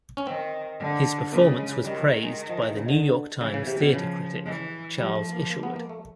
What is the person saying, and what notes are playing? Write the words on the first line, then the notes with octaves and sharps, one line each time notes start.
His performance was praised by "The New York Times" theatre critic Charles Isherwood.
C#4
D#3 C4
D3
C#3 A#3
G#3
G#3
D#3 G3
F3
G#3
F3
E3
C#3
D3
C#3 E3
C#3
C3
B2
C#3 F3
E3
F3 G3
A3
A#3
A#3
B3
A#3
A3